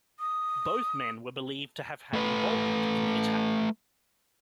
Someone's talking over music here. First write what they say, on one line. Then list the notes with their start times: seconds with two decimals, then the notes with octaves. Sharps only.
Both men were believed to have had involvement in the attack.
0.20 D#6
2.13 A3 B4